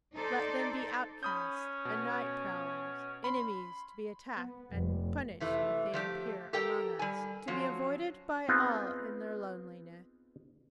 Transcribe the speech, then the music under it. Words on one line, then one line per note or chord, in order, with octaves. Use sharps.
Let them be outcasts and night-prowlers, enemies to be attacked and punished if they appear among us, to be avoided by all in their loneliness.
D#4 A4 C5 D5
C#4 B5 D#6 G6
B2
B5 C6
B3
F1
C3 E3 A3
F3 A3 G4
G4 A4 A#4 G5
G3 G#5
F3 F#3 C#4 F4
B3 C4 D#4 F4 G#4 B4